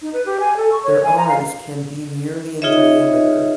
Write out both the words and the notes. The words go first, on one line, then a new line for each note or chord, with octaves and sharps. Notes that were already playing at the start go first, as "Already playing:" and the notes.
Their eyes can be nearly in diameter.
D#4
B4
G4
G#5
A4
C#6
C#5
G#5
A#5
F5
D#4 F4 G#4 C#5 D#5 E5